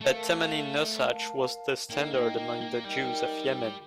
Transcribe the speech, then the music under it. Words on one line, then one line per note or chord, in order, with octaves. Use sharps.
A "Temani" nosach was the standard among the Jews of Yemen.
A3 A#4 F5 A5
A#4 F5 A5
A#3 D#4 A#4 D#5 G5
A#3
A#3
A#3
G3 D#4 A#4 D#5 G5